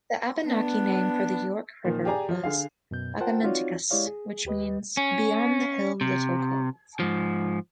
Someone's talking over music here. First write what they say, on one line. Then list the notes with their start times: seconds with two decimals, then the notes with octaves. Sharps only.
The Abenaki name for the York River was "Agamenticus", which means "Beyond-the-hill-little-cove".
0.45 B3 D4
1.85 A#2 D#3 F3
2.05 G4 G#4 D5 G#5 A#5
2.29 F3
2.44 D3 G#4 F5
2.91 F#2 B2 G6
3.20 F4 A#4 C5 F#5 G5 A5
3.43 C4 D#4 F4 F#4 C#5 D5
3.91 G#3 E4 G4 C#5 D5 F5
4.07 G#4
4.45 D#2 G4 B4 D#5
4.97 C#4
6.01 C3
7.00 G#2 F3